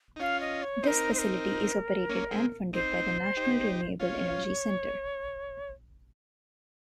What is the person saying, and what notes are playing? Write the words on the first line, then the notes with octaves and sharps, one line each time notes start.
This facility is operated and funded by the National Renewable Energy Centre.
D#4
C#4 F4 F5
D#5
C#5
C4 D#4 A#4 C5
C5
A#4
A#3 C#4
G#3 C4
C4 D#4 C5
D#4 G4
C#4 F4 C#5